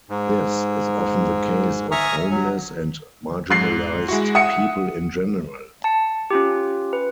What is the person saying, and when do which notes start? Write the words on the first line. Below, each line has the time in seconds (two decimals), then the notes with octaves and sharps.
This is often the case of homeless and marginalized people in general.
0.10 G#2
1.91 E5 G#5 A#5 C#6 D#6 F6
2.30 F#3
3.50 G#2 F#6 C7
4.08 G#3 E4 F#4
4.35 E5 F#5 D#6 C#7
5.84 A5 C#7
6.31 C#4 F4 G4
6.93 B4